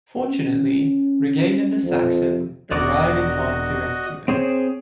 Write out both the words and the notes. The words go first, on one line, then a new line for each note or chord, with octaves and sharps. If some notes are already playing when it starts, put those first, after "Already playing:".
Fortunately, Regeane and the Saxon arrive in time to rescue him.
C#4
F2
E1 F#4 D5 D#5 C#6 D6
C4 G#4 C5 C#5